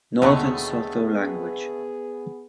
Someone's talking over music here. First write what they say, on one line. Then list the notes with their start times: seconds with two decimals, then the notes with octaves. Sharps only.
Northern Sotho language.
0.22 D#2 B2 D3 F#3 A3 B3 G#4 C#6